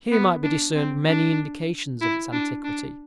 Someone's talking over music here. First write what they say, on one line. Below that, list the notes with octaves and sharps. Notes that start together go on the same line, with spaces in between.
Here might be discerned many indications of its antiquity.
B3
D4
C4
D4
E4
D4
D4